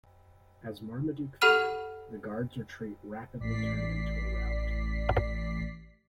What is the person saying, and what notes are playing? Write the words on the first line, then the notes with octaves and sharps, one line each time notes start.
As Marmaduke feared, the Guard's retreat rapidly turned into a rout.
G4 A4 F#5 B5 F6 D#7
A1 D5 B6 C7